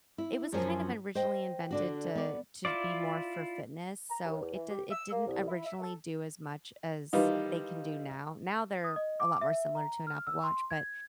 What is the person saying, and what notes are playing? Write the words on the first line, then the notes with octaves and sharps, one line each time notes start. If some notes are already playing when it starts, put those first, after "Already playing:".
It was kind of originally invented to to be more for fitness, so, it d it didn't originally do as much as they can do now. Now they're a lot more similar to an Apple Watch, but
E4
F#2 F3 F#3 C#4 C5 G#5
C5 D#5 G5
D3 D4 F#4
B3 D5
E4 F4 D5
A#5
D#2
E2
E3
G4
E6
A#3
C2
E4
E5
A4
D#3 E3 G3 D#4 F4
D#6
D#5
D6
E5
A#5
F6
E6
C6
G#6